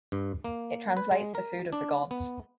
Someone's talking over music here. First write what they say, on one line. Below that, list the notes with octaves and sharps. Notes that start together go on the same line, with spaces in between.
It translates to food of the gods.
G2
A#3
B4
G#3
A#4
D4
B3